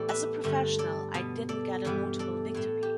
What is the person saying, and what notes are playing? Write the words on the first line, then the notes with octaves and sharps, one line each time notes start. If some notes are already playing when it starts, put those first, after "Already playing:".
As a professional, I didn’t get a notable victory.
Already playing: E2 A2 E3 B3 D4 G4 A4 D5
B4 E5
G2 D3 A3
A4 D5
B2 B3
A4 D5
G2 E3 G3 B3
A4 D5
A2 A3
G4